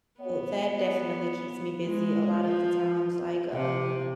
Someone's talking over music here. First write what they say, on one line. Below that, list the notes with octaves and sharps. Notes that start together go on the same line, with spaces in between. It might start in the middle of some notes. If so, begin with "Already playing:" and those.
Well, that definitely keeps me busy a lot of the times, like, um,
B3
G#3
F3
C3